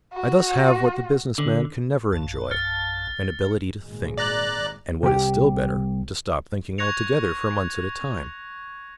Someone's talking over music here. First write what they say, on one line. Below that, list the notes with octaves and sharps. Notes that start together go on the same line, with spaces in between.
I thus have what the business man can never enjoy, an ability to think, and, what is still better, to stop thinking altogether for months at a time.
F#4
D3
A#1 F#2 A5
F6 A6 C#7
G#1 A#2 G#3
D5 A#5 F#6
C2 G4
C#6 F#6 G#6 A#6 C#7 F7